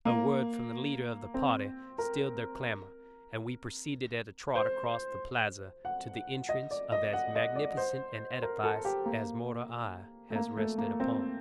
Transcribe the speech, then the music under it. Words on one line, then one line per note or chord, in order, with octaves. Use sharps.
A word from the leader of the party stilled their clamor, and we proceeded at a trot across the plaza to the entrance of as magnificent an edifice as mortal eye has rested upon.
A#3
C4
A#4
C5
F#5
D#5
D5
D#5
F#5
D#5
D5
C5
A#4
A4
G4
A#3
A3
A#3
A3
A#3
C4